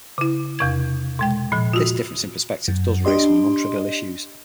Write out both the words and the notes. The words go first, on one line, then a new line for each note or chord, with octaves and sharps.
This difference in perspectives does raise some nontrivial issues.
C#3 E4
E2 C3 G#6
B2 G#3 G5
A#2 F3
F4 F#4
F#2
D4 G4 D#5 C6